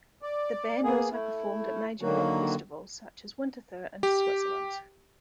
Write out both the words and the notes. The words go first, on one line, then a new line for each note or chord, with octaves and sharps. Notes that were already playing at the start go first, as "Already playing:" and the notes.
The band also performed at major rock festivals such as Winterthur in Switzerland.
D5
A#3 B3 G#4
A3 E4
D3 D#3 F#3 A#3 F#4
G4